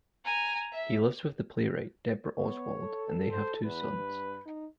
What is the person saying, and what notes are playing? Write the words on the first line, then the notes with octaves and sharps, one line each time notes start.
He lives with the playwright Debra Oswald and they have two sons.
G#5 A#5
E5
B3 C#5
A4
C5
E2 B4
G2
D#4